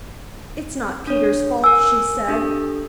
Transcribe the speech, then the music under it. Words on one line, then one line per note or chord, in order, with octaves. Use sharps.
"It's not Peter's fault," she said.
D4 C#5
A#4 G#5 E6
D4 G4 A4